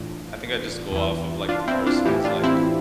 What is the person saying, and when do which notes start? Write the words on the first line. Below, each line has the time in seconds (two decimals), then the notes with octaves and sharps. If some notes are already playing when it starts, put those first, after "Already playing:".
I think I just go off of, like, the person's, like,
Already playing: A2 E3 D4 F4
0.91 E2 E3
1.49 D4 F4
1.68 C4 E4
1.86 D4 F4
2.05 A2 E3 E4 G4
2.24 D4 F4
2.44 C4 E4